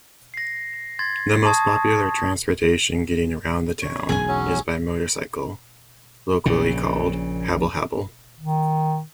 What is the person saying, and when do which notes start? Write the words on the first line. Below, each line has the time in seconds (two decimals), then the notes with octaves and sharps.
The most popular transportation getting around the town is by motorcycle, locally called "habal-habal".
0.34 A#6 C7
0.99 C6 G#6 A6
1.45 A5 C#6 D#6 G#6
3.82 C#5
4.09 E1 B1 G#4 G#5
4.28 F#3 C#4
6.46 A#1 A#2 C#3
8.40 D#3